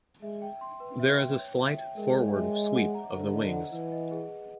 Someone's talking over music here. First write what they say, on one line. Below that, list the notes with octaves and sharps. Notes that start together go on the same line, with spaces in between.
There is a slight forward sweep of the wings.
G#3 E5
G5
C6
B4
E5
G5
C#5
E5
G5
G#3 A#4
C#5
E5
D#5
F#5
A#5
D3 C5
D#5
F#5
E3 B4
D#5
G#4